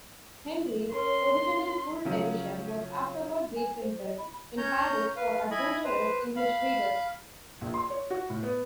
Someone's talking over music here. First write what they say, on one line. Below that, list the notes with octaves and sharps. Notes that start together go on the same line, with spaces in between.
Henry's original full edition was afterward reprinted in Paris for adventurous English readers.
C#4 A#4 C#5 C6
C#3 F3 F#3 C#4
G#5
C5
D#5
B5
C#4 C#5 A#5 G6
B4 F5
E4 D#5 G#5 B5
B4 C5
F5 B5
A#1
C6
C#5
F#4
A2
B3